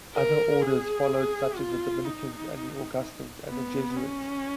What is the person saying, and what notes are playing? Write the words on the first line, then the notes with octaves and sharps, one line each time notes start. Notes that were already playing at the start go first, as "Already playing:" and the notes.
Other orders followed such as the Dominicans, the Augustinians and the Jesuits.
A#4
G#4
F4
D#4
B3
C#4